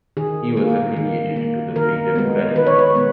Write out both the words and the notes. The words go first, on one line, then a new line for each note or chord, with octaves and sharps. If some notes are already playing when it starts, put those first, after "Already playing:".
He was affiliated to the Free Democratic Party.
D#3 G#4
A#3
D#3
A#3
D#3 A#4
G#3 B3
D#3 B4
C#5
B4
G#3 B3